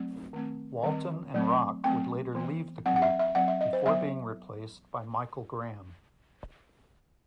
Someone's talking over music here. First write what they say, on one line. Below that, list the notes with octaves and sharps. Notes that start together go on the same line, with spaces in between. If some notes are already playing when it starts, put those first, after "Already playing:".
Walton and Rock would later leave the group before being replaced by Michael Graham.
Already playing: F#3 A3 C4
D#3 A3 C4
D#3 G3 C4
F#3 A3 C4
F#3 A3 C4 G5
E3 B3
F#3 C4 F#5
F#5
E5
E5
F#3 C4 F#5
E5
D#5
C5
F#3 B3 E5